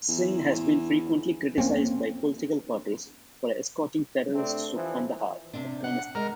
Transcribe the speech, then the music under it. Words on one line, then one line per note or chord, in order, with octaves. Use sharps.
Singh has been frequently criticized by political parties for escorting terrorists to Kandhahar, Afghanistan.
E2
A#3 C4 C#4
C3 A3 C4 D4
E3 F3
C3 C4 D4
F#5
G#3 A#4